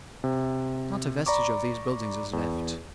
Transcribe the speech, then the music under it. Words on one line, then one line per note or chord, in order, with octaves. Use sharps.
Not a vestige of these buildings is left.
C3
D5 A#5 B5 C#6 D6
E2